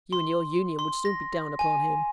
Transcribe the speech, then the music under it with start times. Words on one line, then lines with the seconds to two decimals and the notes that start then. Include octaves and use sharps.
You and your Union would soon be down upon him.
0.13 C6
0.79 C6
1.05 A#6
1.59 G#5